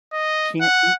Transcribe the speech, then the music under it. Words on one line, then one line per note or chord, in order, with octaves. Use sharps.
can't eat
D#5
F#5